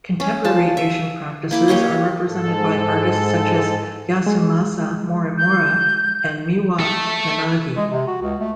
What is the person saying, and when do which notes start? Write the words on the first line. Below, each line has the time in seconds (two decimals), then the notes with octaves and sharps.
Contemporary Asian practices are represented by artists such as Yasumasa Morimura and Miwa Yanagi.
0.20 C#4
0.45 F3 A5
0.77 E5
1.51 A#3 E4 D6
1.68 A#3 G4 C#5 D#5
2.28 G#2 A4
4.26 G#3
5.37 G6
6.80 A4 E5
7.77 G#3
7.91 C3
8.08 F#4
8.23 C#2
8.40 A3